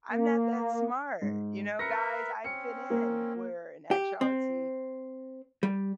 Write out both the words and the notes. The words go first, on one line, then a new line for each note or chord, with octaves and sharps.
I'm not that smart, you know, guys, I fit in." Where, in actuality,
A#3
G#2
A#4 B4 E5 A#6 C#7
C4 C#4 C#7
A#3
G4
C4
G3